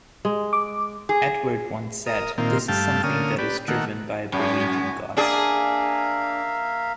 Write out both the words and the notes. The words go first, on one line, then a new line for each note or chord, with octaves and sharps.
Edward once said, This is something that is driven by a belief in God.
G#3
D6
G#4
A#4 D#6
A#2 D#3 A#3 C4 F4
G2 A3 F5 G5 A5
D3 A#3 C#4 D#6 F6
G4 B4 D5
D#3 A3 A#3 F#5
F#2 F#4 G#5
A#3 D4 G#4 E5 F5